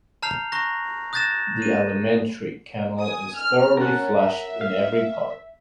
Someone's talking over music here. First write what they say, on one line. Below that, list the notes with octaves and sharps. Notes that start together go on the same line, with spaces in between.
The alimentary canal is thoroughly flushed in every part.
A5 A#5 F6 G6 C7 F7
A#5 C#6 F#6 A#6
D#6 F#6 G6 A6 A#6 E7
D#7
G#5 D#6
F6
C#4 A#4 F#5 A5
E5
F5